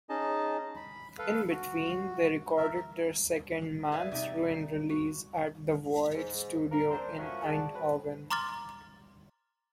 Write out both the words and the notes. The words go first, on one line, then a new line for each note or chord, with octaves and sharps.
In between they recorded their second Man's Ruin-release at 'The Void'-studio in Eindhoven.
C#4 D#4 G#4 D#5 A5
B5
A4 B4 F5
F#4
A#4 E5
E4 G#4 B4 D5 E5 F5
C3 D#4 D5 E5
F#4
G#2
A#4
C4 D4 A#4 C5
F3 A3 A#3 C#4 F#4
G#4 D5 F#5 A5
F#3 C4 B4
A#5 C6 D6 F6 A6